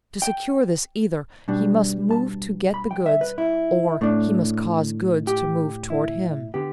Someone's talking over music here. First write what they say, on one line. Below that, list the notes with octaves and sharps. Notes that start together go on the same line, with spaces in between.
To secure this either he must move to get the goods, or he must cause goods to move toward him.
G5
B2 G3 D4
A5
B5
G5
E5
B4
E4
A2 A3 D4
G4
E4
D3 B3 G4